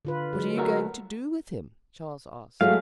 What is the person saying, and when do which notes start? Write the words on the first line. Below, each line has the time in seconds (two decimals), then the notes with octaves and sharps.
"What are you going to do with him?" Charles asked.
0.05 D3 F4 B4
0.33 F#3 G#3
0.58 A3 F#4 A#4
2.61 F#3 G#3 A3 F5